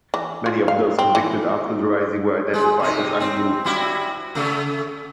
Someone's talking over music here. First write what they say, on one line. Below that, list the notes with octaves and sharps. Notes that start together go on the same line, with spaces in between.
Many of those convicted after the rising were identified as "Anguru".
E3
F4
F5
C4
E3
G#3
C3 D#4
C4
G3 E4 F#4
C#3 A3